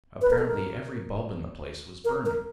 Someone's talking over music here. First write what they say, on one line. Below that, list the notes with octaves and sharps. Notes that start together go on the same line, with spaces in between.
Apparently every bulb in the place was burning.
B4
A#4
A4
A#4
A#4
A#4